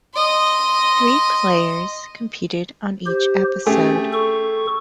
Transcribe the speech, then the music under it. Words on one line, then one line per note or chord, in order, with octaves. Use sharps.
Three players competed on each episode.
D#5 C6
G4 C5
A3 C#4 G4 G#4
A4 C#6